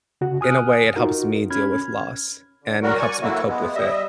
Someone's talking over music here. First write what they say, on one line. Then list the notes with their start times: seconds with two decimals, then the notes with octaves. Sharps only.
in a way it helps me deal with loss, and helps me cope with it.
0.21 C#3 F#4
0.41 G#5 D#6 F6 F#6
0.96 D#4 F4 F#4 A#4
1.50 C#4 B5 F6 G#6
2.64 D3
2.83 F#3 G3 F#4 A#4
2.99 D5 G#5 C#6
3.21 A2 F#3 A#3 E4 F#4
3.48 G#3 B3
3.75 G3 D#5 E5